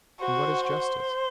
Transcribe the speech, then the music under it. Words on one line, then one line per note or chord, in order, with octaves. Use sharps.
And what is justice?
F#4 C5